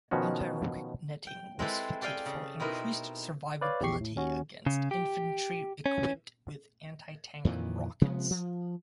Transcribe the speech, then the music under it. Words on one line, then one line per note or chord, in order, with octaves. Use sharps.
Anti-rocket netting was fitted for increased survivability against infantry equipped with anti-tank rockets.
B2 D#3 F3 C#4 F#4
G5
G#3 C4 E4 G4 A4 B4
G4 A4 D5 F5 G5 G#5
C#3
B2 C4 D#4 E4 A#4 B4
B4 C#5 D5 F5
A#1 E2 G4 C#6 C7
A2
D#2 C#4 F#4
C#3
G4
C#4
F2 A#2 D#3 E3
C3 F3 G#3 B3
F3